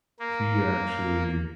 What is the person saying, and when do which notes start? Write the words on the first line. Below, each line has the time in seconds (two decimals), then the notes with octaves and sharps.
he actually
0.19 A#3